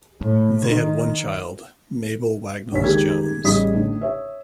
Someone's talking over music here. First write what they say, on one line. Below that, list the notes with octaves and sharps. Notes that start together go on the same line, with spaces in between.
They had one child, Mabel Wagnalls Jones.
A2
D#3
A#1 D#2 C#5 B6
D#3 G#3 G4 G#4 A#4 G#6
A1 G3 G#4 D#5 D#6 B6
A2 D3
C#5 E5